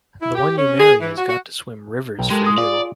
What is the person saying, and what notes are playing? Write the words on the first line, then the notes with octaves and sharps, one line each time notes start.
The one you marry has got to swim rivers for you!
E4
G4
C#4
G#4
E3
F#4
F#4
B1 G5
G#3 G4 A4 A#4
D#6
F4 G#4 D5